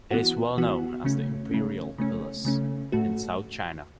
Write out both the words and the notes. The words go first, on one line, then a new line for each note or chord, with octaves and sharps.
It is well known as the Imperial Palace in South China.
E3 B3 F#4
E3 B3 F#4
C#3 A3 C#4
C#3 A3 C#4
C#3 A3 C#4
C#3 A3 C#4
A2 A3 F#4